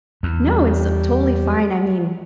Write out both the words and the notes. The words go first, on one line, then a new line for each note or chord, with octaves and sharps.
No, it's, uh, totally fine. I mean,
E2
G3